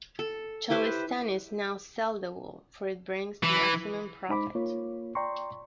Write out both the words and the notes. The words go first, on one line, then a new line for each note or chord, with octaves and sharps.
Cholistanis now sell the wool for it brings maximum profit.
A4
E4 G4 B4 C5
E3
G#3 D#4 C5 B5 D6
A#3 F4 C#5
D5 G5 A#5 C6 C#6